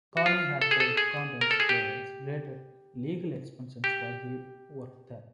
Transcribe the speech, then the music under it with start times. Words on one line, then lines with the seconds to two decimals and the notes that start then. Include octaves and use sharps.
Corning had paid Condon's clearance-related legal expenses while he worked there.
0.17 F#4
0.26 F4
0.62 A4
0.71 G#4
0.80 A4
0.97 G#4
1.41 A#4
1.51 A4
1.60 G#4
1.69 G4
3.84 G4